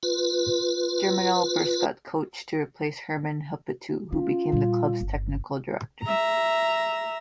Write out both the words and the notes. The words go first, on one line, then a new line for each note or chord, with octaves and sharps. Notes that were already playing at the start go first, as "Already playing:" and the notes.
Germinal Beerschot coach to replace Herman Helleputte who became the club's technical director.
F4 B4
C#4 F4
A#2 G3
G1
E5 A#5